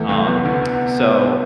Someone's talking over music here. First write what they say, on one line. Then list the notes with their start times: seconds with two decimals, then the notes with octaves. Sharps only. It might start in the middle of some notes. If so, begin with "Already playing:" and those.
Um, so
Already playing: E2 E3 A3
0.09 C2 C3
0.26 E2 E3 B3
0.45 D2 D3